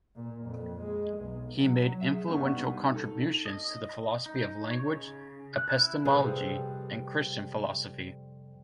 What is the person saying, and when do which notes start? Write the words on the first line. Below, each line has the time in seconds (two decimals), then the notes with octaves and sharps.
He made influential contributions to the philosophy of language, epistemology, and Christian philosophy.
0.15 A#2
0.46 F2
0.82 G#3
1.18 B1
1.58 F#3
2.01 G#4 E5
2.28 G2 B3 D#4 C#6
2.94 D#4 A4
3.46 D#5
4.26 D#4
4.71 C#5
4.88 C#3
5.58 F#6
5.77 E4
6.05 F2 C3 G3 G#4 B4 F5